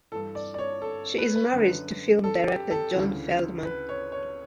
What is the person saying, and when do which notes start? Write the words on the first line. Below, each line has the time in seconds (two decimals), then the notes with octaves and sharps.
She is married to film director John Feldman.
0.12 E3 A4
0.16 G2
0.35 D5
0.54 D5
0.59 C#5
0.82 A4
1.18 B4
1.36 B4
1.53 F#2 D3
2.24 A4
2.47 G4
2.71 A4
2.94 D2 C#3 E3
3.65 B4
3.89 C#5
4.12 C#5